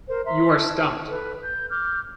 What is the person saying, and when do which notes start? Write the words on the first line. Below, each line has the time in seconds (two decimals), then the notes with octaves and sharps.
You are stumped.
0.08 A#4 C5
0.25 E5 A#5 C6
0.54 A5
1.08 A4 B4
1.42 G6
1.70 D6 F6 G6